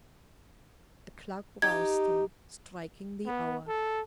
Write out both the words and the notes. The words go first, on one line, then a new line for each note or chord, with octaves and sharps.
The clock roused him, striking the hour.
D#4 G4 G#6
B3
A4